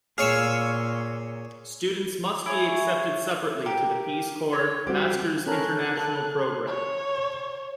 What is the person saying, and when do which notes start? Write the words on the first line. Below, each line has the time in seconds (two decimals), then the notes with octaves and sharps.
Students must be accepted separately to the Peace Corps' Masters' International Program.
0.18 A#2 G#4 C#5 F5 C#6 E6
2.46 E4 G#4 C#5
3.66 G4 A#4
4.53 C#5
4.87 G3 C4 F#4 G4
5.46 C#4 A4 A#4 F#6
5.97 A4
6.67 C#5